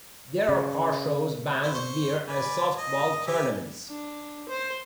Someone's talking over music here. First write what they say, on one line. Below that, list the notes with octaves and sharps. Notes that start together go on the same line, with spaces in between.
There are car shows, bands, beer, and softball tournaments.
C#3
E4 C5
C5 C#6
B4 D5 G#5
D#5
G4 E5 G#5
D4
C5